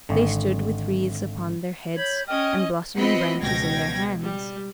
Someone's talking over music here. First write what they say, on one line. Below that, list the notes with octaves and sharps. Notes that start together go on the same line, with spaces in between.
They stood with wreaths upon their heads and blossoming branches in their hands.
G#1 D3
C#5 B5 G6 G#6
C#4 D#5 G5 F6
B3 C4 F4 D#5 F#5 B5
C#2 B2 G5 G#6 A#6
G3